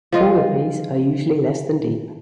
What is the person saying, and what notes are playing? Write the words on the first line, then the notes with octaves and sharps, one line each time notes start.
All of these are usually less than deep.
F3 F4 D#5